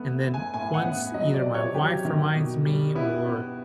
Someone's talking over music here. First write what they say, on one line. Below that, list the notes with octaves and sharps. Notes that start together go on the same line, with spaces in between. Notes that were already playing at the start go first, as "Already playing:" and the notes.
and then once either my wife reminds me or
Already playing: A3 B3
B3
G#5
A2 G#5
F#5
B3
F#3 D#5
D5
C3
C#5
F#3 G4
D#3
B2
G3
B3 E4
B3